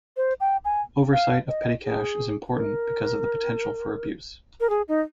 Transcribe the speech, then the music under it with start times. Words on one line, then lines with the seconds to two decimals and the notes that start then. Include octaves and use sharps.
Oversight of petty cash is important because of the potential for abuse.
0.17 C5
0.40 G5
0.65 G#5
1.12 F5
1.48 D#5
1.84 G#4
2.56 A#4
4.60 A#4
4.69 G#4
4.88 D#4